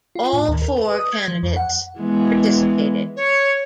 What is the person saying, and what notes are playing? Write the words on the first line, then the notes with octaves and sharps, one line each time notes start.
All four candidates participated.
F4
A2
D#2
A#4
B4
D#6
G#6
F3
F2
F#5
E3 G#3 B3
C#5